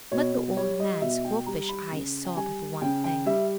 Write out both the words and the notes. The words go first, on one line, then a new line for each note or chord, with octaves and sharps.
But the old man's wolfish eyes saw but one thing.
B2 C#5
G3 C#5
D#5
B2 E5
G5
G3 A#5
B5
C#3
G5
G3 G#5
C#3 G5
G5
G3 E5